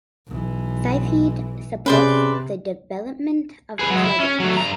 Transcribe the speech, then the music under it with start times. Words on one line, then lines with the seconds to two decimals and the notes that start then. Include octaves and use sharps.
Sylpheed supports the development of plug-ins.
0.27 B1 E3
1.86 C3 C#4 G#4 B4 C5 D5
3.79 G#4 B4
3.91 F#3 G#3
4.04 E4
4.20 C#4
4.40 F#3 A3
4.57 G2 A#5